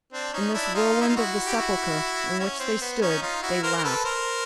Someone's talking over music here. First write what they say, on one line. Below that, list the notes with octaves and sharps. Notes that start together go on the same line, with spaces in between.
In this whirlwind of the sepulchre in which they stood, they laughed.
C4 D4
C#4 D#4
D4 E4
D#4 F4
E4
F4
E4 F#4
G4
E4 F#4
C#4
C4
B3
C#4 D#4
D#4 F4
E4 F#4
A#4 C5
A#4
A4 B4
A#4 C5